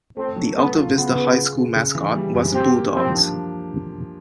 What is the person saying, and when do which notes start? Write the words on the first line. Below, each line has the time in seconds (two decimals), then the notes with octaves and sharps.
The Alta Vista High School mascot was Bulldogs.
0.17 A3 C4
0.36 F#3
0.56 A3 B3
0.76 F4
0.95 C#3 B3
1.15 C#3
1.36 C#3
1.55 C#3
1.75 C#3
1.95 E3
2.15 G3
2.35 F#2
2.54 C4 G4
2.74 A#3
2.94 F3 C4
3.14 D4